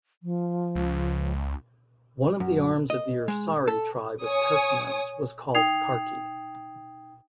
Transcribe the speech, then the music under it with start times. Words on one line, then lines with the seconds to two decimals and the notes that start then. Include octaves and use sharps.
One of the arms of the "Ersari" tribe of Turkmens was called "Karki".
0.23 F3
0.75 C#2
2.40 F#2
2.90 D#5
3.28 G#3
3.68 A4
4.25 C#5 G#5 D#6
5.55 D#4 G5 D#6 G#6 C7 F7